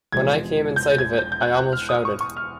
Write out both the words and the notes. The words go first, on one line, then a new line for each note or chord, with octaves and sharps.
When I came in sight of it I almost shouted.
E1 E2 C3 F3 G#3 G#6
G6
G#6
G6
G6
F#6
F#6
F6
D#6
C#6
C#6
F6